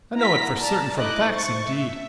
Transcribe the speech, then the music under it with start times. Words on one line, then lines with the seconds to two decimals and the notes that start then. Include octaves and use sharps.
I know it for certain from facts, indeed.
0.15 E4 F#5 A#5 B6
0.56 D5 A5 A#5
0.98 A3 D#4 E4 D#5 D6 F#6
1.29 C5 C#6 A6
1.67 E5